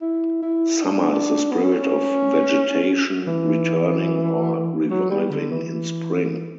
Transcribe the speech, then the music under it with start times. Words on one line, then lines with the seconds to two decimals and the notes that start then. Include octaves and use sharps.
Summer is the spirit of vegetation returning or reviving in spring.
0.01 E4
0.42 E4
0.83 D4
1.52 B3
1.64 C#4
3.27 E3
4.90 F#3
5.11 G3
5.31 D3
5.51 E3